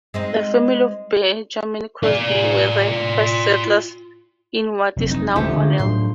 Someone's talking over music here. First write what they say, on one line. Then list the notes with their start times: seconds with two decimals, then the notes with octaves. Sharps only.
The family of Benjamin Crosby were the first settlers in what is now Hornell.
0.14 G#3 C4 D#4
2.03 F4 D5
4.96 F1 F#3 C4
5.11 D#4
5.36 D1 C#2 F3 A3 C#4 G4
5.52 D3
5.79 A2 F#3 D4 C6